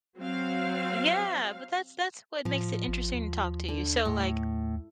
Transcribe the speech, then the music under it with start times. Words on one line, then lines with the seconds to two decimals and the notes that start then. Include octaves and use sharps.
Yeah, but that's that's what makes it interesting to talk to you, so, like,
0.19 F#3 C4 F5
2.45 A2 F3
2.88 A1
3.14 D#2
3.68 D3
4.05 A2